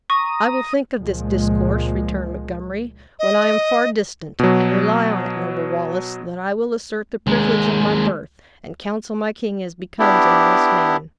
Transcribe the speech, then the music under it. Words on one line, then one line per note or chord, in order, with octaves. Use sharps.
"I will think of this discourse," returned Montgomery, "when I am far distant; and rely on it, noble Wallace that I will assert the privilege of my birth, and counsel my king as becomes an honest man."
A#5 C#6 D#6
C#2 A#2 F3 G#3
D#5
B2 F#3
D#2 G#3
B3 D4 E4 G4